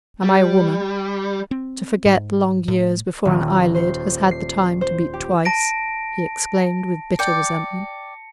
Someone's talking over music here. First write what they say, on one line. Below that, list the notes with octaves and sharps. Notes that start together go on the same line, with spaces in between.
"Am I a woman, to forget long years before an eyelid has had the time to beat twice?" he exclaimed, with bitter resentment.
G3
C4
G#2
A2
D#1
C5
C7
C5
G4
A5 A#6 D7
D5 G5 C#7